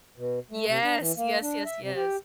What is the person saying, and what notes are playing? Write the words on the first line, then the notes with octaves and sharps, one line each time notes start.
Yes, yes, yes, yes.
B2
A3
C3
D4
E3
A#3
D4
E5
C3
G4